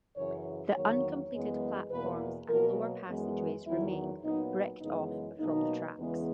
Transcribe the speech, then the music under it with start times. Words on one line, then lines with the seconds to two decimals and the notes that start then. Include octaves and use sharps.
The uncompleted platforms and lower passageways remain, bricked off from the tracks.
0.15 F#2 C#3 E3 C#5
0.74 E2 D#3 F#3 A#3 C#5
1.32 F#2 E3 G#3 B3
1.91 E2 B2 A#3 B4
2.49 B2 F#3 A#3 A#4
3.07 F#2 E3 G#3 B3
3.65 E2 D#3 F#3 E4
4.23 A#2 F#3 B3 D#4
4.81 F#2 C#3 E3 G#3 B3 D#4
5.40 B2 F#3 A#3 D#4
5.97 E2 C#3 E3 G#3 B3